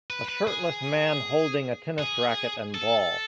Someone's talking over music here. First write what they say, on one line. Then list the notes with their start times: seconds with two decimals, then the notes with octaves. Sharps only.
A shirtless man holding a tennis racket and ball.
0.10 B4
0.29 B4
0.47 G#4
1.99 G#4
2.74 A4